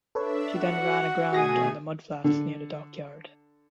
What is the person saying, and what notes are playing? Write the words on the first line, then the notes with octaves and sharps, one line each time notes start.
She then ran aground on the mudflats near the dockyard.
D4 A4 B4 C#5 E5
F#4 F#5
B2 A3 F#4 G#4 G#5 A#6
D3